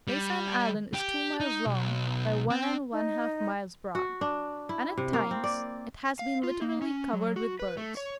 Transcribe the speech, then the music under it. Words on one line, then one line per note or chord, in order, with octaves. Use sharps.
Laysan Island is two miles long by one and one-half miles broad, and at times it has been literally covered with birds.
G3
G4
D#4
B1
C4
D#4
F#4
D4
E4
C3
A#3
C4
D5
F5
F4
A#3
C#4
F#3
F#4
B4
A3
C#5